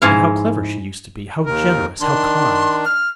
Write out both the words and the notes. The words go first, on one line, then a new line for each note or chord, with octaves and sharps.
And how clever she used to be... how generous... how kind!
G#2 F3 E4 F5
D#2 A#4
D#3 D4 C6
F6